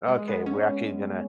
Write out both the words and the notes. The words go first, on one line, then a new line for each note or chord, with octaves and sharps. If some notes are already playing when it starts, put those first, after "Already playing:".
Okay, we're actually gonna
G#3
B3
C#4